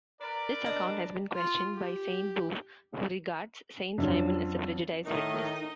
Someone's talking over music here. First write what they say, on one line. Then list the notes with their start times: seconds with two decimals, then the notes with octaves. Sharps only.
This account has been questioned by Sainte-Beuve, who regards Saint-Simon as a prejudiced witness.
0.21 A#4 B4 D5
0.66 D4 D#5
1.34 F4
1.74 G4
3.98 F2 F#3 C#4 D4 F4
5.05 A2 D#3 D#4 D#5